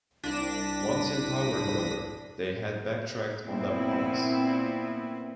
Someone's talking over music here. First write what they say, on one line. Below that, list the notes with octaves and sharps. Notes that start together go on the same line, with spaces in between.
Once in power however, they had back-tracked on that promise.
C2 D4 A#6 B6 D#7
A#2 B3 C4 E4